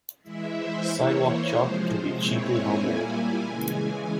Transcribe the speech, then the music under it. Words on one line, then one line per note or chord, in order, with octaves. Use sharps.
Sidewalk chalk can be cheaply homemade.
E3 G#3 E4 E5
C5
E3 A#3 E4 C#5
C5
C3 F3 G#3 C5
A#2 G#3 C4 E4 C#5
G#5
A#2 G3 A#3 E4
G#5
C#3 E3 G#3 G#5
G#5